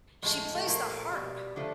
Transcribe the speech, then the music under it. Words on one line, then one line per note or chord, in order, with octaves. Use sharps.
She plays the harp
A2 F3 G#3
A3
A#2 F3 A3 A#3
B2 G3
D3 F3 A3